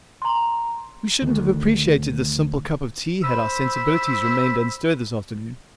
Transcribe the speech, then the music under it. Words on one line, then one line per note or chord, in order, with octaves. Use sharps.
We shouldn't have appreciated this simple cup of tea had our sensibilities remained unstirred this afternoon.
A#5 C6
D2 D#3
C5 B5 E6